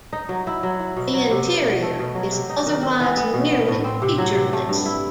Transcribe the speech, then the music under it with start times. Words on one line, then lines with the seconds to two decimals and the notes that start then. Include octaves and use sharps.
The interior is otherwise nearly featureless.
0.13 D#4
0.29 F#3
0.47 E4
0.63 F#3
0.80 E4
0.96 B2
1.13 F#3
1.31 C3
1.47 B3
1.64 B2
1.82 A3
1.99 B2
2.15 F#3
2.32 C3
2.50 D#4
2.66 D#3
2.83 C4
3.01 E3
3.17 B3
3.34 B2
3.50 B3
3.68 A2
3.84 C4
4.02 C3
4.18 F#3
4.35 C3
4.53 A3
4.69 G2
4.86 E4